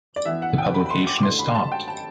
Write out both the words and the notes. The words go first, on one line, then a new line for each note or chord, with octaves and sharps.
The publication is stopped.
D5
E3 B3 E4 E5
F#5
G5
B5
B5
C6
D6
D6
D3 A3 E4 C6
B5
A5
G5
A5